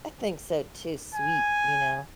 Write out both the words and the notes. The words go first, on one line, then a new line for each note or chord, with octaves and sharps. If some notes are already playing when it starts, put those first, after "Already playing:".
I think so too sweet, you know?
G#5